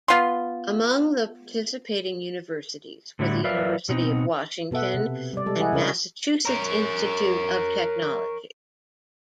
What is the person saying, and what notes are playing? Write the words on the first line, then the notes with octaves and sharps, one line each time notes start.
Among the participating universities were The University of Washington, and Massachusetts Institute of Technology.
B3 F4 B4 C6
A2 D3 G3 E4 F#4
F#3 A#4 B4 D5 E5 F5
B2 B3 C4 D#4
B2 B3 A4 E5 F#5
C3
G3 D5
G3 G#3 A4
E4 G#4 D#5 F#5
C#3 D4 A#4 C#5
A#4 C#5